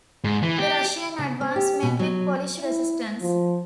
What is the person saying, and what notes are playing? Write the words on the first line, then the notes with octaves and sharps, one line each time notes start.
The Russian advance met with Polish resistance.
G#2
E3
G4
C#3
C4
G4
B2
F#3
E4
F3